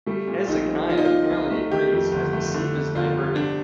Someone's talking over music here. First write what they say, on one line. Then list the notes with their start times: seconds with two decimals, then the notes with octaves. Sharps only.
Hezekiah apparently agrees, as the siege is diverted.
0.06 G3 A3
0.28 A#2
0.48 A#1 D#4
0.68 C4
0.89 F3 F4
0.98 D#4
1.05 A#2 F4
1.30 C2
1.51 A3
1.71 D#3 G4
1.92 F2
2.12 G1
2.33 A3
2.54 D3
2.74 F2
2.95 G1 F4
3.16 G3
3.36 C3 D4